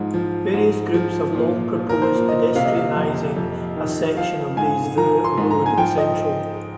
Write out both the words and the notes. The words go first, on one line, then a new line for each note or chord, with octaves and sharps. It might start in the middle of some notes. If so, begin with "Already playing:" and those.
Various groups have long proposed pedestrianising a section of Des Voeux Road Central.
Already playing: G#2 F3
F3
G#2
F3
A#2
F3
A#4
C5
A#2
D#5
C3 F5
D#5
F5
F2
F2
D#3
F3 F5
G#2 G#5
F3 A#5
C6
G#2
A#5
G#5
F3 G5
D#5